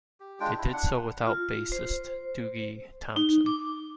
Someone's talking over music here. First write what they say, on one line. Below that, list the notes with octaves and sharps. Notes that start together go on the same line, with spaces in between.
They did so without bassist Dougie Thomson.
G4
G#3 D4 F4 G5
E4
D4 F#5
F4
C5
D#4
D6